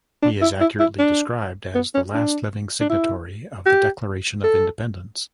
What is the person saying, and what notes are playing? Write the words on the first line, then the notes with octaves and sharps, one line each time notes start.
He is accurately described as the last living signatory of the Declaration of Independence.
D4
E4
E4
E4
D4
B3
C#4
D4
D4
E4
G4
A4